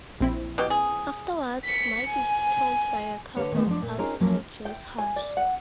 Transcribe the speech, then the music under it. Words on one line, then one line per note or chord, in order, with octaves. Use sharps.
Afterwards, Mike is killed by a car bomb outside Joe's house.
A#1 C4 E4
B2 G4
G#4
B6 C#7
G#5
D3 G4 B4 C#5
D#3 E3 G#3 A3 B3 D4
F3 D4
A#2
C4 C#4 D#4 F4 G#4 A#4
F3 F#3 A#3 C#4
G5
G#5
D5
F#5